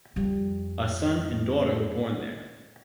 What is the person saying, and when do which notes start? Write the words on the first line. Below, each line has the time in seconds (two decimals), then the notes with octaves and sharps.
A son and daughter were born there.
0.16 F2 G3